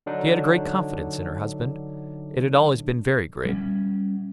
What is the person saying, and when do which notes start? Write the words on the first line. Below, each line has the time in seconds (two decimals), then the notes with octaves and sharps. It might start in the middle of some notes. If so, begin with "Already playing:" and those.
She had a great confidence in her husband; it had always been very great.
0.06 D3 F#3 D4 D#4
3.45 G3 C#4